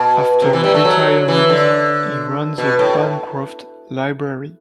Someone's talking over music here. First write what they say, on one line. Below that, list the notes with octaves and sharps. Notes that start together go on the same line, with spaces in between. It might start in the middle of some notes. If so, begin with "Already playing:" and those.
After retirement, he ran the Bancroft Library.
Already playing: B2
C3
E3
G3
A3
F#3
E3
D3
B2
A2